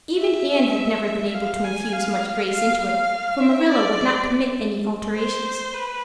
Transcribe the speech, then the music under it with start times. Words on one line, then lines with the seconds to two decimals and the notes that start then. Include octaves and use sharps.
Even Anne had never been able to infuse much grace into it, for Marilla would not permit any alterations.
0.18 E5
1.05 E5
1.34 F5
1.64 G#5
1.93 F5
2.52 F5
2.81 F5
3.40 E5
3.68 D5
5.16 C5
5.74 B4